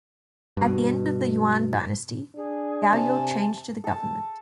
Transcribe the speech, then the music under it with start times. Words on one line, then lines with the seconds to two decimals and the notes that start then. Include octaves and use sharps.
At the end of the Yuan Dynasty, Gaoyou changed to the government.
0.57 G2 B2
2.36 D4 G#4
2.94 C3 G#5 A5
3.84 A4 A5